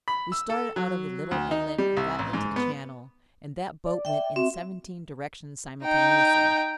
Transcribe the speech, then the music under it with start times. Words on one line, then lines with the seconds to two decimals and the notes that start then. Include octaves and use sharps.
We started out of the little inlet and got into the Channel, and that boat went in seventeen directions simultaneously.
0.08 B5
0.32 E6
0.50 A4
0.76 F#3
1.31 D2
1.51 D#4
1.78 G3
1.97 C2
2.19 A1
2.33 G#2
2.56 B3
3.85 D5
4.05 E5 G5
4.36 C4 F#4 E5
5.83 D#4 G5